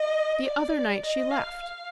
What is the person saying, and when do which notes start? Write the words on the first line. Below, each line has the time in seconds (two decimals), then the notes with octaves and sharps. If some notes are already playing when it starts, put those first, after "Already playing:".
"The other night she left."
Already playing: D#5
0.44 D5
1.03 D#5
1.31 F5
1.61 F5